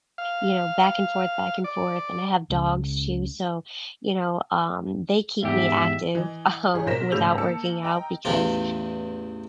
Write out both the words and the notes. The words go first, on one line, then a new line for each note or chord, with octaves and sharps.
you know, back and forth, back and forth. And I have dogs, too, so, you know, um, they keep me active, um, without working out because,
F5
D5
C#2 C#3
E2 G#2 G4 E5
E3 D#5
C#2 G#4 C#5
B1 A#4 C5 A#6 B6 E7
G#1 A2 C#3 E6 G6 F7
A#3 A5 E6 C#7
D#5 G5 A#5
A1 E2 E3 F4